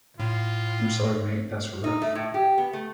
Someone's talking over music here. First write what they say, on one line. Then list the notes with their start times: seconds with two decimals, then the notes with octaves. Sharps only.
I'm sorry, mate, that's rough.
0.20 A2 F4
1.84 D#4
2.02 A3
2.15 A2
2.34 G4
2.58 B3
2.73 A3